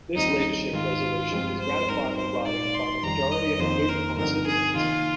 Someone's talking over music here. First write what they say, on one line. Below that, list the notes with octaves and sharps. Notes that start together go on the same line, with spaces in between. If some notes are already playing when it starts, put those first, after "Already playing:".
This leadership resolution was ratified in writing by the majority of Lubicon citizens.
D#2 D#3 G3 C4 D#4
G#2 D#3 G#3 F4
G2 F3 G#3 C4
C5
G#2 G3 C4 D#4 A#4
C5
A#2 G#3 D#4 D5
C6
F2 D#3 G3 A#5
D#5
F2 D#3 A#3 C5
A#4
G2 D3 F3 C4 D#4 A#4
G#4
C3 D#3 A#3 D#4 F4